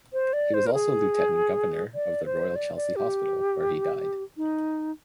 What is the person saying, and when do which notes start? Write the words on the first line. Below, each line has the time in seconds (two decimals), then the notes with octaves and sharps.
He was also Lieutenant Governor of the Royal Chelsea Hospital where he died.
0.13 C5
0.33 D5
0.54 C5
0.66 A#4
0.73 G#4
1.95 D5
2.26 C5
2.56 D5
2.76 D5
2.96 G4
4.37 D#4